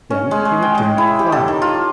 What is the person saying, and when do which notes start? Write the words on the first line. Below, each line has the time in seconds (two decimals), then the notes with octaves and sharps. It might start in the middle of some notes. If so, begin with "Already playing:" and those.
Then he returned to the flier.
0.10 C#4
0.31 G#3
0.45 G#3
0.62 G5
0.78 G#3
0.98 E4
1.19 G4
1.32 A4
1.48 D#3
1.62 F4